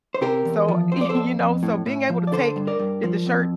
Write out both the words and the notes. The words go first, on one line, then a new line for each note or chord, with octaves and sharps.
So, y you know, so being able to take did the shirt
C5
C3 G4 A#4
E2
F3
F2 C5
D5
A4 C5
F2
F2
A2
A2
F3
D5
D3 A4 C5
G2
A#4 D5
G2
F3
F2